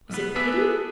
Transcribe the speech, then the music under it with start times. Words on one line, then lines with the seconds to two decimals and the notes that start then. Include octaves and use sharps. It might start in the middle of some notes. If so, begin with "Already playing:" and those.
Was it pity?
0.10 B1 E2 B3
0.35 B3 D4 G#4 E5